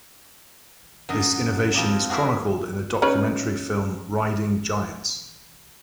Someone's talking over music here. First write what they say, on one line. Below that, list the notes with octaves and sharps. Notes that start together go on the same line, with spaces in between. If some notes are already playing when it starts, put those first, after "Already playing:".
This innovation is chronicled in the documentary film, "Riding Giants".
F#2 D3 D#5
F2 F4 G4 D5 D#5 A#5
F#4 G#4 A#4 E5
C#4 D#4 B4